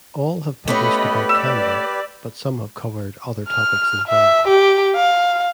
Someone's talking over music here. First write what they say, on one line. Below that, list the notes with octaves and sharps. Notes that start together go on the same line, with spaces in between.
All have published about Canada, but some have covered other topics as well.
A3 B3 C#4 G4 A4 B4 D#5 B5
D5 E6
F6
E5
G4
F5